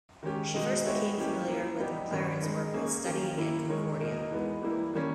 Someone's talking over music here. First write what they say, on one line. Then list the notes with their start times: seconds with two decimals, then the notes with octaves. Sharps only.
She first became familiar with McLaren's work while studying at Concordia.
0.23 D#3 G#3 C#4 G4
0.54 B2 G#3 D#4
0.85 G#3 B3 G4 C#5 E5
1.17 E3 A#3 C#4 G4
1.49 A#3 E4 A#4
1.79 G3 B3 D#4 G4
2.11 G2 D#3 G3 C#4
2.42 G#3 D#4 G#4
2.74 A#3 C#4 G#4
3.05 D#3 A#3 C#4 G4
3.37 D#3 A#3 E4
3.68 D#3 G#3 D#4 A#4 C#5
4.00 B2 A#3 D#4 A#4
4.31 E3 G#3 B3
4.62 E3 G3 A#3 E4
4.94 D#3 G3 A#3 C#4